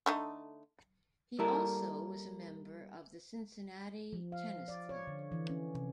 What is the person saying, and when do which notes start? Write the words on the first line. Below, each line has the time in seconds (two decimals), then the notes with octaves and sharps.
He also was a member of the Cincinnati Tennis Club.
0.06 D3 A3 D#4
1.39 G3 A#3 E4 A4 A#4
4.13 F3
4.32 F5
4.68 D5
4.89 C#5
5.07 D3
5.32 E3
5.50 C#4
5.75 C3